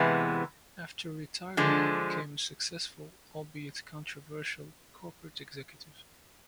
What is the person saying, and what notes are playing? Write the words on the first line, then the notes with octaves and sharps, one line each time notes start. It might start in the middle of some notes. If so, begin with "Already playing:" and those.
After retiring he became a successful, albeit controversial, corporate executive.
Already playing: E2 C3 E3 G#3 B3
D3 F3 G#3